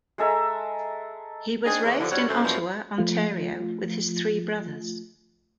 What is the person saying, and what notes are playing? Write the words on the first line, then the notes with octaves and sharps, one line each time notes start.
He was raised in Ottawa, Ontario with his three brothers.
G#3 A4 E5 A#5
C4 D4 D#4 G#4
E2
D#2 D3 F3
G2 C3 G3 F#4 C#5
F#2 D3 A3 C#4 A4 C5
F#2 B2 E3 F3 G3 C5
F3 A3 F4